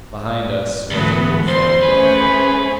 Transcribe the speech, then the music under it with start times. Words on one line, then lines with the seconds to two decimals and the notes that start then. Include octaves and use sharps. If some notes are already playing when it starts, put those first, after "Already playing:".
Behind us was a wolflike yelping.
0.91 D2 G#2 E3 A3 B3
1.48 E2 C5 C6
1.83 A3 C#4 G#4 B4